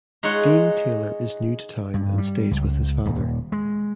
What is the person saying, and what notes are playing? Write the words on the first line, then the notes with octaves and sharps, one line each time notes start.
Dean Taylor is new to town and stays with his father.
G#3 D#4 F4 C#5 F#5
G2
G3
C#2
D#1
G#3